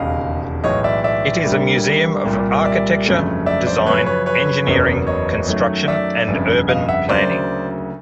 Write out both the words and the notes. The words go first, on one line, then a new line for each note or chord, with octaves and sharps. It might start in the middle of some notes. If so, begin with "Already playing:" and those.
It is a museum of "architecture, design, engineering, construction, and urban planning".
Already playing: E1 D#2 C#3 D#5 F5
B1 A2 E3 G#3 C#5 D#5
D5 E5
D5 E5
D2 D3 G3 A#3
C2 A#2 G3 A#3
D5 E5
G1 F2 C#3 F#3 A3
D5 E5
C5 D5
F#2 C#3 F3 B4 C#5
B4 C#5
B4 C#5
F#1 E2 C#3 F#3 A#3
C#5 D#5
F#2 D#3 F#3 A3
D5 E5
G1 F2 C#3
D#5 F5
E5 F#5
D2 C#3 F#3 A#3 C5 D5